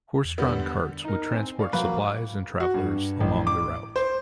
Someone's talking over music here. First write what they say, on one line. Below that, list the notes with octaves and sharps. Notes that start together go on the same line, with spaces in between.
Horse-drawn carts would transport supplies and travellers along the route.
E2
D3 G3 B3
D#4 A#4
C4 G#5
D5 F5 C#6
F#2 A#2 F3 G3 A#3 F#4 B4 F5
F#4
G2
A1
D6
C5